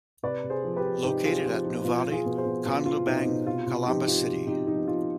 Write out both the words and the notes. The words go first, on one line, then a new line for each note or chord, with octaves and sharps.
Located at Nuvali, Canlubang, Calamba City.
C3 B4 D5
C3
G#4 C5
F3
G4 B4
F3
C3 D#4 G4
C3 F4 G#4
F3 F4
F3 D#4
B2 F4
B2
F4 G#4
B2
G#4 C5
B2
B2 F4
B2 F4
B2 D#4
B2 D#4
C3 F4
C3 F4
F3 D#4 G4
F3 F4
C3
C3 D#4 G4
F3 D#4
F3 F4